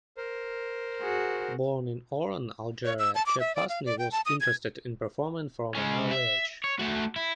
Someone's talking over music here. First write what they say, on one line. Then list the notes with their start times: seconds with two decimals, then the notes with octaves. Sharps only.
Born in Oran, Algeria, Cheb Hasni was interested in performing from an early age.
0.17 A#4 C5
1.01 F#4 G#4
2.85 C#5
2.99 E6
3.15 A5
3.26 D6
3.40 E5
3.56 D5
3.69 F5
3.86 D5
3.99 G5
4.12 A5
4.26 D#6
4.41 G#6
5.75 G#3 C#4
6.11 E5
6.64 C#5
6.79 A3 F#4
7.16 E4